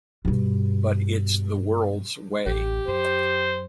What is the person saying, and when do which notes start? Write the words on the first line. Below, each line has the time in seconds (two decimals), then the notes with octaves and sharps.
But it’s the world’s way.
0.25 G2 B2
2.46 A1 D2 G4
2.88 F#2 C5